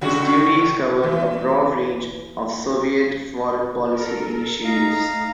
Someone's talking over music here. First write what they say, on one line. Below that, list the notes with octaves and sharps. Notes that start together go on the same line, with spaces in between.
His duties covered a broad range of Soviet foreign policy initiatives.
A2 C#3 F#4
E3
A4 A#4
A3 D#4 F5 A#5